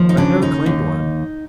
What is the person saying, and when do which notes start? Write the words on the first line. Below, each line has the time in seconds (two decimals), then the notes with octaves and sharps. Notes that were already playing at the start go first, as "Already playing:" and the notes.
I have never claimed one.
Already playing: D#2 F3
0.09 D#4
0.17 C#3 D4
0.42 D#2 D#4
0.66 D#2